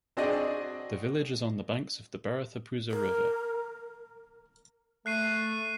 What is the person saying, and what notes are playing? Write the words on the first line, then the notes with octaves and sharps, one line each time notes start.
The village is on the banks of the Bharathappuzha river.
C4 D4 F#4 G#4 D5 D#5
A#4
A3 F#6 C7 D#7